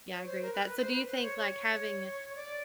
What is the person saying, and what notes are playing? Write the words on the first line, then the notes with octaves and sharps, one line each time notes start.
Yeah, I agree with that. So do you think, like, having
C#5
C5
A#4
B4
B4
C5
B4
C5
C#5
C#5
D5